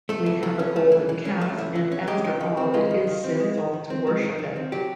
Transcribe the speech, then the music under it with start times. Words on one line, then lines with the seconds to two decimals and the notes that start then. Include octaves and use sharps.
We have a golden calf and after all it is sinful to worship it.
0.09 A3 A4
0.26 E3
0.43 E3
0.59 C#4
0.76 A3
0.92 E3
1.09 E3
1.25 C#4
1.41 A3
1.58 E3
1.75 E3
1.92 C#4
2.07 G#3 G4
2.25 D#3
2.41 D#3
2.57 C4
2.74 G#3 F4
2.91 D#3
3.07 D#3
3.24 C4
3.40 G#3
3.57 D#3
3.73 D#3
3.90 C4
4.07 G#3
4.23 D#3
4.39 D#3
4.56 C4
4.72 F#3 G4